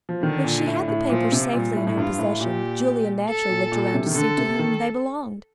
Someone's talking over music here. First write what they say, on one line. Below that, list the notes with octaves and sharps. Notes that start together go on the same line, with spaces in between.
When she had the papers safely in her possession, Julia naturally looked around to see to whom they belonged.
F3
D3 D#3
A#2
A2
A2
A#2 F3
C3
A#2 G3
A2
A2
G2 F4
A2
A#2 G4
A4
A#2
A#2
C3
D#3
D3 A4
C3
D#3